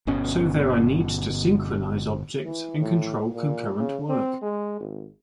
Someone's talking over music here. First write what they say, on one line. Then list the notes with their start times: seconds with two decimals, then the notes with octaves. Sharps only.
So, there are needs to synchronize objects and control concurrent work.
0.07 G1 B2 C#4
2.44 E3
2.80 A2
3.33 A#2
3.79 C#3
4.09 C4
4.42 G#3
4.80 G#1